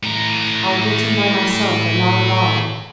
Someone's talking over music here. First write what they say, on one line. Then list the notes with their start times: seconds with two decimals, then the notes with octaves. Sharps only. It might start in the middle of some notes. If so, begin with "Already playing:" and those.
I'll get him by myself or not at all.
0.03 A2 A#5